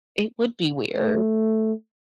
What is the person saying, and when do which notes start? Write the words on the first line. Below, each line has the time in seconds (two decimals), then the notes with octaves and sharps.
It would be weird.
0.96 A3